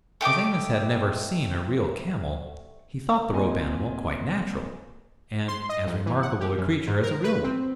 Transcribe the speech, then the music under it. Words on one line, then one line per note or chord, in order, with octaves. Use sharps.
As Amos had never seen a real camel, he thought the rope animal quite natural, and as remarkable a creature as a real one.
A3 G4 D#5 D6
A#2 C4 D#5 G#5
C6
D#5
F2
E3
F#5
G4
F#2
G#2
A#4
B4
C4